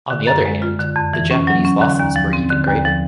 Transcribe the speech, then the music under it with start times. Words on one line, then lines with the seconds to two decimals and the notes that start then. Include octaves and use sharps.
On the other hand, the Japanese losses were even greater.
0.10 D3
0.27 F#2
0.46 G#3
0.62 F4
0.79 D3
0.96 F2
1.13 E3
1.31 C#4
1.47 F#3
1.65 C#4
1.82 D3
1.99 D#2
2.16 F3
2.33 C4
2.50 D3
2.68 D#2
2.85 F3